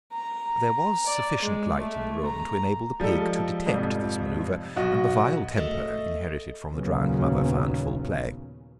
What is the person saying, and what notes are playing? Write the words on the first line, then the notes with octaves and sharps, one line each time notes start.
There was sufficient light in the room to enable the pig to detect this manœuvre, and the vile temper, inherited from the drowned mother, found full play.
A#5
D5
G#3
A3
A#5
F3 G3 G#3 A4
F2 G#2 C3 F3 G3
B1 F#4 D#5
A3 D#5
D#2 A#2 C#3 F#3 B3 C#4